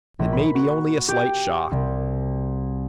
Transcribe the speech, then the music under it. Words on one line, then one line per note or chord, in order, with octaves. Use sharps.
"It may be only a slight shock."
A#1
B5
F#4
G4
C2